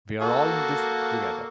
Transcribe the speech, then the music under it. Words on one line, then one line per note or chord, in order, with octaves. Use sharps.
We're all in this together.
A#3 F#4 A4